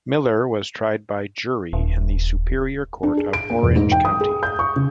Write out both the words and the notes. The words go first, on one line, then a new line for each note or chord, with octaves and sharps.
Miller was tried by jury in the Superior Court of Orange County.
D#1
D4
G#4
D7
A#3
E1
G#2
G5
D#6
G#4
G6
C#6
C#3